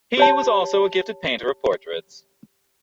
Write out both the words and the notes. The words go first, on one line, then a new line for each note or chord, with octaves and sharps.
He was also a gifted painter of portraits.
G4 C#5 A5